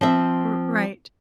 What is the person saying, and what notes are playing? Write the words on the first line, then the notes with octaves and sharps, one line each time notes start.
R r right.
F3 C4 E5